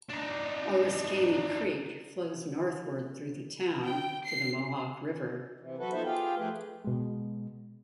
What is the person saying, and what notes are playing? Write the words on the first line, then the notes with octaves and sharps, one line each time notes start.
Oriskany Creek flows northward through the town to the Mohawk River.
D4 D#4
G5
C7
C3 E3
F#3 F#4 A4 B4
F3 B3 D#4 A4 C5 E5
F4 G4 G#4 F5 G5
F3 A3 G4 G#4 B4
B2 G#3